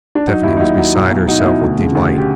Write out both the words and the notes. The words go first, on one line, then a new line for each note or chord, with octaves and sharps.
Stephanie was beside herself with delight.
D4
F#3 D#4
D#2 E4
D#4
F#3 E4
F#3
B1
B2
F#3 D#4
E4
B2
D2
C#3
D2
G4